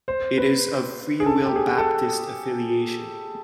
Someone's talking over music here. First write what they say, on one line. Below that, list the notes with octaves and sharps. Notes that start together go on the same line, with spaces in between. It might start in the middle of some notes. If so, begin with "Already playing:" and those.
It is of Free Will Baptist affiliation.
C5
B4
G#4
A4
G4
G#4
A4